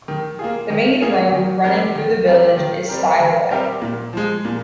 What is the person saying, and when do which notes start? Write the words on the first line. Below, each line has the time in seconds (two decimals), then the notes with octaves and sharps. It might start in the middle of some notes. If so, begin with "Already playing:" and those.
The main road running through the village is Stile Way.
0.08 D#3
0.39 A#3 F4 G#4
0.70 D#3
1.02 A#3 F4 G#4
1.32 D#3
1.64 G3 C4 G4 A#4
1.95 D#3
2.26 G3 C4 G4 A#4
2.57 D#3
2.88 G3 C4 G4 A#4
3.20 D#3
3.50 G3 C4 G4 A#4
3.82 A#2
4.13 F3 G#3
4.45 A#2